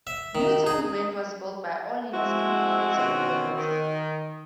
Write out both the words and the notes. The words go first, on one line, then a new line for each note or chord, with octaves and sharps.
Newtown Grant was built by Orleans, Incorporated builders.
E5
D#3
G#4
F3 G#3 C4 E4 F#4
B2 D#3 C4 C#4 F#4
D#3